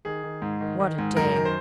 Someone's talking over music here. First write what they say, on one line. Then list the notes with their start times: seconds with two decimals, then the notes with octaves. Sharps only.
What a day!
0.05 D#3 G#4
0.23 D#3
0.42 G#2
0.61 D#3
0.80 D#3
0.98 G#2
1.17 F#2 A#4
1.36 D#3
1.45 C5